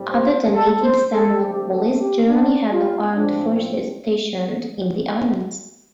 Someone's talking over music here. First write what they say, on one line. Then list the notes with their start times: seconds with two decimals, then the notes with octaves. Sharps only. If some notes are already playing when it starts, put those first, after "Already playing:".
Other than native Samoan police, Germany had no armed forces stationed in the islands.
Already playing: A2 G3 C4
0.11 C5
0.54 A4
0.82 C5
1.12 A4
1.41 D3 A3 C4 G4
1.69 A4
1.99 G4
2.27 D4
2.72 F4
3.15 A2 F3 C4 D4